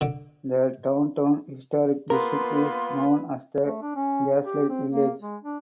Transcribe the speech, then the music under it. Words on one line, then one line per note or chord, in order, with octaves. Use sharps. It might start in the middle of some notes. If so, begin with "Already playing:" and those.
The downtown historic district is known as the Gaslight Village.
D3
A#3 B3 F4 A#4 B4 C6
A3
D4
C#4
G4
C4
A#3
G#3
D4